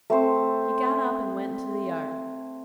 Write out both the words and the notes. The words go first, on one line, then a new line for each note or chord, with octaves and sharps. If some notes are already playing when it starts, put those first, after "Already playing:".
He got up and went into the yard.
A3 C4 C5